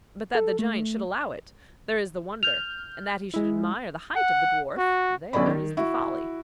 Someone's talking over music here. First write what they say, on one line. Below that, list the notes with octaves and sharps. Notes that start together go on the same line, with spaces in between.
But that the giant should allow it, there is the wonder; and that he should admire the height of the dwarf, there is the folly.
A4
A3
F6 G6 F7
G#3 E4
F#5
F#4
B1 D3 C#4 D5 B5
D#3
E4 F#4